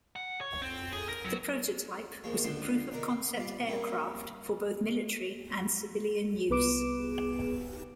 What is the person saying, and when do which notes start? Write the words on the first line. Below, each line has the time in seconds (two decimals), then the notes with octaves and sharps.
The prototype was a proof-of-concept aircraft for both military and civilian use.
0.16 F#5
0.41 C#5
0.62 C4
0.92 G#4
1.09 A#4
1.25 F#3
2.24 D#2 F3 G#3 C#5
2.44 C#2 D3 F3 A3 C6
2.92 D4 D#4 A#4
3.08 C4
3.36 G3 F4 D5
3.67 G3 A#3 C4 C#4
6.49 C2 B3 B4 D6 D7 E7